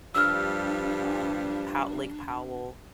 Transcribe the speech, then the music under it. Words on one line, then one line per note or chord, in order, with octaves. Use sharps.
um, Po Lake Powell,
G2 F3 G3 D4 E6 F6